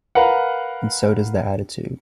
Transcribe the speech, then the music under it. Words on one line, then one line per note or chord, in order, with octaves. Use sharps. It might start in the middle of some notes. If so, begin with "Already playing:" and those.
And so does the attitude.
A#4 B4 F5 F#5